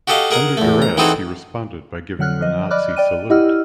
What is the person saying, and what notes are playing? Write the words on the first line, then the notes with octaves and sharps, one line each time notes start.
Under duress, he responded by giving the Nazi salute.
F#4 G4 A4 D#5 F5
G#4 A#4 F#5 A#5
E2 A3
A#5
E3 C4 D#4 F#4 G#4 A4
D3 F#3 F#5 F6 F#6
F3 D#5
D5 D#5 B5 D6 F6 F#6
D5 G5 D#7
E4 G4 D#5 F#5 E6 F6